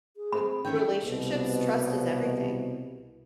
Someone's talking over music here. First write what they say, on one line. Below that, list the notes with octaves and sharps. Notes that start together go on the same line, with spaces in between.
r relationships, trust is everything.
G#4
C4 B5
D#3 E3 C#4 C#5 E5 G5
C2 B2